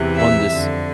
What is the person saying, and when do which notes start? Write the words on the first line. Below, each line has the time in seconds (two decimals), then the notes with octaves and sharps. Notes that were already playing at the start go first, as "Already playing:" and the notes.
on this,
Already playing: E2 C3 E3
0.17 E5
0.50 F2 D3